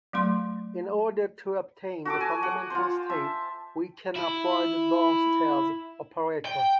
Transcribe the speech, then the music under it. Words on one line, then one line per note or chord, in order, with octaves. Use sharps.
In order to obtain the fundamental state, we can apply the down stairs operator.
F#3 A3 C6
F#4 A4 D6
G#5
F#5
F4 C5
E5 A5
E4
G5